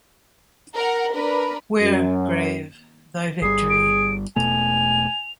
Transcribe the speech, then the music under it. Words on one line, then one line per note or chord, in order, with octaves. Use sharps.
Where, grave, thy victory?
A#4 F#5
D4 A#4 B4
F#2
G1 G3 G#4 C7
D7
E1 B2 A3 G#5 F7